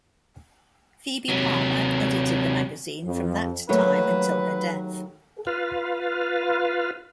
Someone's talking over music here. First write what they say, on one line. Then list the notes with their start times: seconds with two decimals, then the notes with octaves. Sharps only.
Phoebe Palmer edited the magazine from that time until her death.
1.29 C3 F#3
3.04 F2
3.69 D#2 F#3 A3 B4
5.47 F4 B4 F5